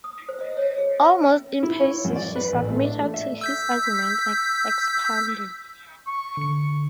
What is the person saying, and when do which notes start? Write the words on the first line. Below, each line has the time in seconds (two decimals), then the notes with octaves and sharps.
Almost impassive, she submitted to his argument and expounding.
0.04 D#6
0.29 C5
0.41 D#5
0.57 C#5
0.78 G#4
1.00 E5
1.22 C#4
1.63 E4
1.81 C#5
2.05 F#2
2.16 D5
2.36 B4
2.53 A1
2.69 A3
2.84 D4
2.99 A3
3.14 E5
3.41 E6 G6 B6
6.07 C#6
6.37 D3 C#7